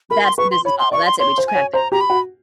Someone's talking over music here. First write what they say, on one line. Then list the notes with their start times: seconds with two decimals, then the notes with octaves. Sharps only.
That's the business model. That's it, we just cracked it.
0.10 A#4 B5
0.24 C6
0.38 B4 C#6
0.51 C6
0.65 C#5 B5
0.79 C6
0.92 D5 C#6
1.06 C6
1.19 C#5 C6
1.38 C5
1.47 G#5
1.55 C#5
1.73 C5 A#5
1.92 G4 A#5
2.00 B5
2.10 F#4